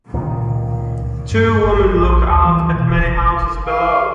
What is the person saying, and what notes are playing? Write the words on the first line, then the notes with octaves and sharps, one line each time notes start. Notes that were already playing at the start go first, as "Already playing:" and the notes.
Two women look out at many houses below.
C#2 A#2 D#3
G2
G2
G1
G#1
A#1
D2
E3
E3
B2
D1
F#1
G#1
F5